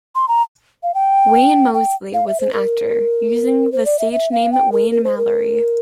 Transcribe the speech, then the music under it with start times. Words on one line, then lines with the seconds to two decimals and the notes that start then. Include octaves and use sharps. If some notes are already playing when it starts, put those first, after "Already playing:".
Wayne Moseley was an actor, using the stage name Wayne Mallory.
0.15 C6
0.28 A#5
0.83 F5
0.94 G5
1.74 G5
2.14 F5
2.27 E5
2.40 C5
2.53 A#4
3.72 C5
3.85 D5
3.99 E5
4.12 E5
4.32 F5
4.52 G5
4.72 A#4
4.91 A#4
5.04 C5
5.18 A#4